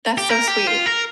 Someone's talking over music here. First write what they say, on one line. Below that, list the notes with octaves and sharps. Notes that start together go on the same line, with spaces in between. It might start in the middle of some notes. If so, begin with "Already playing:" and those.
That's so sweet.
G4
A#4
G4
F4
A#4